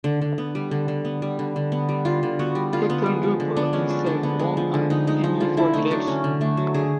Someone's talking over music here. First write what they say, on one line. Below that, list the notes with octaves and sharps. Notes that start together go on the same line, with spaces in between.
Hickenlooper himself won an Emmy for direction.
D3
D3
B3
G3
D3
D3
B3
G3
D3
D3
B3
G3
D3 F4
D3
B3 F#4
G3
D3 F4
B3
G#3
F3
D3
B3 D4
G#3 C#4
F3 D4
D3 D4
B3
G#3
F3
D3
B3 D#4
G#3 D#4
F3 D#4
D3 F4
D3 E4
A3 D#4
F#3 D4
D3 C#4
D3
A3 D4
F#3
D3 G#4